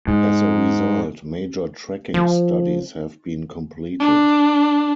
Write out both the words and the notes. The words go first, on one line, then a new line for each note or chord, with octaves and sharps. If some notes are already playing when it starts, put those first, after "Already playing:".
As a result, major tracking studies have been completed.
G#2
F3
D4